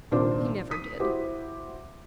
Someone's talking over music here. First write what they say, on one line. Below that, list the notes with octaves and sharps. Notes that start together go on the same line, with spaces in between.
He never did.
C2 A#2 D#3 D4 F4 C5
D#6 B6
E4 F#4 G4 C5